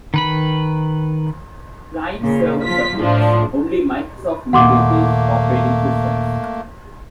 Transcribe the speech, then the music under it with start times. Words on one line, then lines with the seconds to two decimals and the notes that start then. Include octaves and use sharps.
Client-server supports only Microsoft Windows-based operating systems.
0.14 D#3 B4 B5
2.18 A#2 C#3
2.65 F3 F4 B6
2.99 A2 F3 D4
4.53 D#2 A#2 A3 A#3 F#5 C6 D6